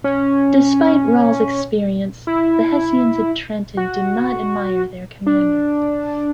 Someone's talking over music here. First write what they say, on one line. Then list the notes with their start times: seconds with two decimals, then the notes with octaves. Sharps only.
Despite Rall's experience, the Hessians at Trenton did not admire their commander.
0.04 C#4
2.27 E4
3.77 F#4
5.26 D4